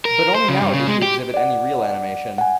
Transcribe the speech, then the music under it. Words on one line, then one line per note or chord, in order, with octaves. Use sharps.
But only now did he exhibit any real animation.
A#4
C5
C#3
G2
C#3
G#3
G4
D5 F#5
F#5 G#5